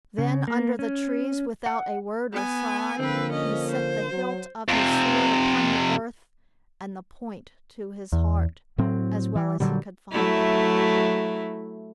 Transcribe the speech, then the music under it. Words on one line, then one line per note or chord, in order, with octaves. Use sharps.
Then under the trees, without a word or sigh, he set the hilt of his sword upon the earth, and the point to his heart--as well as he could find it.
C#3
A#3
C#4
F#5
B3 G#5
D3 F3 A#3 C4 B4
C#4 D#5
C5
F#3
F2 C3
E2
A2 F#3 C4
E3
A#2 D3 F#3 G3
F#3 A3 E4